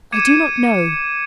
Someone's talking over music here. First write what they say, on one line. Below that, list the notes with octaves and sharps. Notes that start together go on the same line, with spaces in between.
"I do not know."
D6 G#6 C#7 D#7 E7